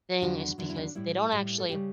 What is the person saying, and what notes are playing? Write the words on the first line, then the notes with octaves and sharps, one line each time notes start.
thing is because they don't actually
E2 D3 F#3 F#4
E2 D3 F#3 E4
E4
D4
A2 G3 E4
A2 G3
A4
C#3 G3 G4